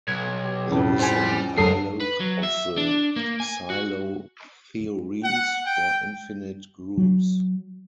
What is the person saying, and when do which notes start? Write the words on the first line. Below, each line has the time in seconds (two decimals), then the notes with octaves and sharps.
There is an analogue of the Sylow theorems for infinite groups.
0.08 B1 G#6
0.44 G4
0.71 F2 A2 C#3
1.00 G3 C5 G#5
1.58 C#2 F#2 F#3 A4 A#4 D#6 C7
2.00 B4
2.20 F#3
2.43 E5
2.77 D4
3.16 A#3
3.40 G#5
3.70 F#4
5.23 F#5
5.66 G5
6.98 F#3